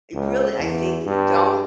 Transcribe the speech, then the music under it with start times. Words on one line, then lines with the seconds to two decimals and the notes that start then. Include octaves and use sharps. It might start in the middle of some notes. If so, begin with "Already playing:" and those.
eh really, I think, don't
0.14 C#2
0.60 E2
1.06 G2